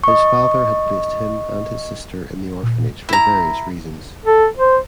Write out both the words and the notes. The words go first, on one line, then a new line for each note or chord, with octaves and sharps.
His father had placed him and his sister in the orphanage for various reasons.
D#5 C#6
A#2
E4 A#5
A4
C5